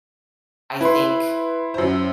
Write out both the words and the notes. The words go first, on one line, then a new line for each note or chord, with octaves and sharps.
I think
E4 B4 C6
F#2 C5